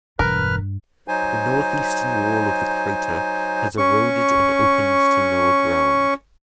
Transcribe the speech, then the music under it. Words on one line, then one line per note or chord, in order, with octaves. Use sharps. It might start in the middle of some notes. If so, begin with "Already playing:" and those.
The northeastern wall of the crater has eroded and opens to lower ground.
E1 G2 A#4 B4 F6
F#3 D#4 C5 G#5
C#4 C#6